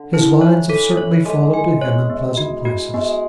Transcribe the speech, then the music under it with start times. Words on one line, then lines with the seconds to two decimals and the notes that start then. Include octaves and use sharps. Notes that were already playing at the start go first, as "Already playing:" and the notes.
His lines have certainly fallen to him in pleasant places.
Already playing: D3
0.14 E4
0.41 E3 C#5
0.69 A4
0.97 C#5
1.25 G#3 A4
1.54 G#5
1.81 C#5
2.10 B3
2.37 F#4
2.65 F#4
2.94 G#3 B3